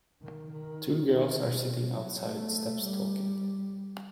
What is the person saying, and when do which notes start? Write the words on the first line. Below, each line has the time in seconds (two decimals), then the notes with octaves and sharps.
Two girls are sitting outside steps talking.
0.22 D#3
0.52 D#3
1.09 D#3
1.38 B2
1.96 F#3
2.25 A3
2.82 G3